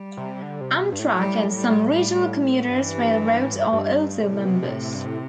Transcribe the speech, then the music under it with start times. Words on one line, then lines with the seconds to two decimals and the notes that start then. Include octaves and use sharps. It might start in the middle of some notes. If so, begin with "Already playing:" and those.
Amtrak and some regional commuter railroads are also members.
Already playing: G3
0.17 C3
0.42 D3
0.61 C3
0.80 B2
0.92 G2
0.99 A2
1.17 G3
1.55 G3
1.93 G3
2.69 G2 E3
3.44 A2
3.53 G2
3.73 G2
4.20 A2 C3
4.45 B2
4.63 B2
4.69 A2
4.95 G2
5.06 A2